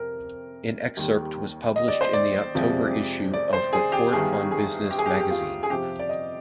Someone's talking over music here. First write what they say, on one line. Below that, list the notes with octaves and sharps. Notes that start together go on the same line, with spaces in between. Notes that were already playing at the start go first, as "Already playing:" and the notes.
An excerpt was published in the October issue of "Report on Business Magazine".
Already playing: F2 C3 A#4
D#2 D#3 G3
D#5
D5
C5
D5
F2 C3 F3 G#3
D5
C5
G#4
G4
G1 G2 D#3 G3 G#4
G#4
G4
G#4
G4
G#4
G4
F4
G#4
F2 C3 F3 G4
D5
D#5